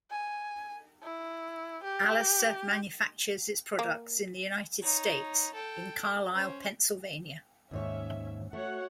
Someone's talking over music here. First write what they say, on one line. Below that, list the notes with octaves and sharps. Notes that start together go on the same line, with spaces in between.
Alacer manufactures its products in the United States, in Carlisle, Pennsylvania.
G#5
E4
G4
A#3
D#4 C#5
A4 G5
C#4 C5
D#2 G#2 C#4 C#5 E5
A3 F#4 C#5 F#5